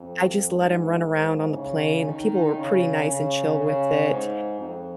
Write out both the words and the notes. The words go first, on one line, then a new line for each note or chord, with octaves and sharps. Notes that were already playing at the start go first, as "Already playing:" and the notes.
I just let him run around on the plane, and people were pretty nice and chill with it,
Already playing: F2
G#2
G#2
C#3
D#3
C#3
C#3
C#3
G#2
F2